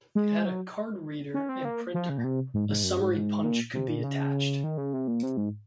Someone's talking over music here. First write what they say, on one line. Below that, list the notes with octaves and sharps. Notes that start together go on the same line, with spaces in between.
It had a card reader and printer; a summary punch could be attached.
G#3
F#3
C#4
C4
A#3
F3
C#3
A#2
C3
G#2
G#2
F#2
G#2
G#2
A#2
C3
A#2
C#3
D#3
C#3
C3
A#2
C3
G#2